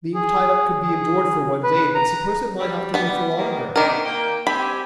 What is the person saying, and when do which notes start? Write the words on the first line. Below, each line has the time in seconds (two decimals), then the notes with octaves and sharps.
Being tied up could be endured for one day, but suppose it might have to be for longer?
0.14 G#4
0.83 G#4
1.63 B4
1.95 A#5
2.59 G3
2.94 G3 B3 B4
3.38 D#3 G3 A#3
3.76 C3 D#3 B3 D4 A#4
4.05 A#3 G5
4.47 C4 G4 G#5 B5